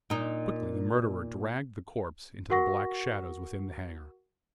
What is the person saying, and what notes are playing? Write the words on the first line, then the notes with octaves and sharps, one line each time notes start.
Quickly the murderer dragged the corpse into the black shadows within the hangar.
A#2 D#4
F#4 A#4 F#5 C#6 A#6